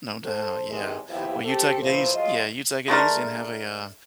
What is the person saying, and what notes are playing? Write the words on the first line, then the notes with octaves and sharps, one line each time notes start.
No doubt, yeah. Well, you take it eas Yeah, you take it easy and have a, uh,
A4 C5
E2 C3 D#3 G#3
D#2 G#2 F3 B3 E4 G4
A3 C4 G4 A4
A#2 E3 F3 A#4 C5
F#3 G#3 F4 D#5
G#3 A3 D4 A#4